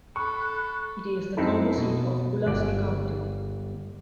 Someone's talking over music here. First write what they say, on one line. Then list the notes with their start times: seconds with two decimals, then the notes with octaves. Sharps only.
It is the county seat of Pulaski County.
0.16 A4 B5 C#6 F#6
1.37 F#2 C4 D#4 E4 A4
1.78 B2
2.46 G1 D5